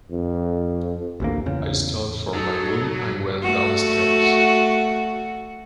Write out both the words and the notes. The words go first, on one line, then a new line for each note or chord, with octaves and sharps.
I stole from my room and went downstairs.
F2
A1 D2 A#3
E2 C#3
F#3 D#4 A4
A3 F#4